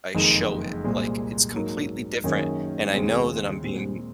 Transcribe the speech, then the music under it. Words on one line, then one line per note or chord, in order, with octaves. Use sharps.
I show it, like, it's completely different, and I know that I'm being
F#1 F2 D#3 G#3 D#4
C2 A#2 G#3 C4
G#2 F#3 A#3 D#4 A#4
F#2 D#3 A#3 C#4 G#4
D#2 C#3 G#3 C4
A#2 G#3 C4